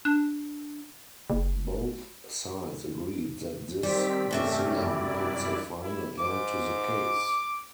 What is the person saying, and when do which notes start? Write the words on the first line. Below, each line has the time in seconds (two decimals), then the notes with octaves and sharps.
Both sides agreed that this decision puts a final end to the case.
0.05 D4
1.30 F#1
3.83 D#3 G3 C4 B6
4.31 G2 C3 A3 C#4 E5
4.71 F#2 E4 D5
5.82 E4
6.19 G#2 D6